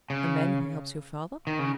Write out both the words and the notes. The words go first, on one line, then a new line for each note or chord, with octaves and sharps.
"A man who helps your father?"
C#3
D#3
C#3